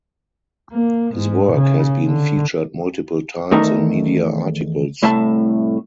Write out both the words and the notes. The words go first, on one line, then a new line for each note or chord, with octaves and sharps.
His work has been featured multiple times in media articles.
A#3
G#2
C#3
D3
E2 D#3 A3 D#4 A#4 E5
C2 A2 A3 E5 A5